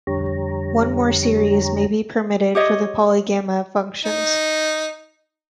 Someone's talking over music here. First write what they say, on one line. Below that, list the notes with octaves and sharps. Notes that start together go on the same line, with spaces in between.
One more series may be permitted for the polygamma functions.
F2 D3 G3 G4 C#5 A#5
G4 C#5 D#5
D#4